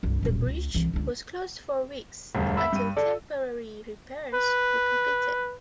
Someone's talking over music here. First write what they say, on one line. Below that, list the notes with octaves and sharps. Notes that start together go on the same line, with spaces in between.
The bridge was closed for weeks until temporary repairs were completed.
C2 G2
D#1 B2
C#2
C2 E3
C#2 D3
E1 D2 G2
E5 B5 E6
G2 D#7
A4 D5
B4